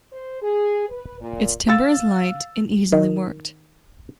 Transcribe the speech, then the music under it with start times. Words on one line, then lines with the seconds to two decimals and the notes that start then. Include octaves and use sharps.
Its timber is light and easily worked.
0.13 C5
0.42 G#4
0.89 B4
1.21 A#2
1.68 F5 E6 A6
2.92 D#3